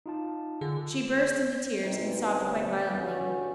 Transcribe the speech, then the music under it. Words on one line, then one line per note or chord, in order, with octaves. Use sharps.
She burst into tears, and sobbed quite violently.
D#4 F4 A5
D3 G#4
B2 E3 G3 C4 D#4
D3 G3 A3 B3 C#4
G2 D3 E3 C#4 F#4